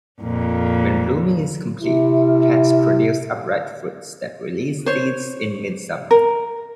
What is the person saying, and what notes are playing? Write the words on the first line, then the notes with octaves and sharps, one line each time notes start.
When blooming is complete, plants produce upright fruits that release seeds in mid-summer.
F2 A#2
C3 E4
C5 C#5
A#4